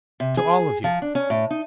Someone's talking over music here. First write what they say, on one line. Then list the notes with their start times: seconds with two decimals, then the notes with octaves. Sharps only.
To all of you.
0.20 C3
0.37 G#4
0.84 F3
1.02 D4
1.15 C#4
1.30 A2
1.51 D#4